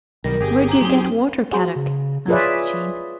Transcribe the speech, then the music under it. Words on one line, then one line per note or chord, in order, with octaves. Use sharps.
"Where do you get water, Kadok?" asked Jean.
B1 D#3 G3 A#4
G1 G4 G#4
D4 A#5
F#3 C4 D#4
F#4 G#4 C5
C#3
F4 G#4 B4 C#5 D5 E5